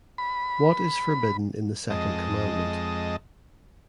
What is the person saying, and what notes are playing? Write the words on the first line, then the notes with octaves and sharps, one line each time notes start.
What is forbidden in the second commandment?
B5
F2 G#3 D#5 A5